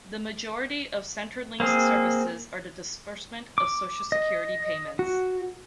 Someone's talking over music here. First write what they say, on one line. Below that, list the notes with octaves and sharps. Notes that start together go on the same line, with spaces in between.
The majority of Centrelink's services are the disbursement of social security payments.
A#3 C4 G#4
D6
D#5
F#4